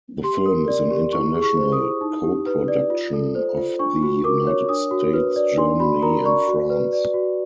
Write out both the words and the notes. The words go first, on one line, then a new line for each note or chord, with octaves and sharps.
The film is an international co-production of the United States, Germany and France.
G4 C6
A#4
D5
G4
E4 C#6
G#4
C#6
C5
D#6
E4
D#4
G4
B4
D5
F4
A4
C5
F4
D4 C#6
F#4
A#4 D6
C#5
D4 D#6
F#4
B4
D5
D4 C6
F#4 B5
A#4 A#5
D5 C#6
F#4
B4
D5
F#4